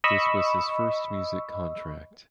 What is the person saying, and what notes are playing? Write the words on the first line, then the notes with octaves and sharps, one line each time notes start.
This was his first music contract.
D#5 B5 C#6 E6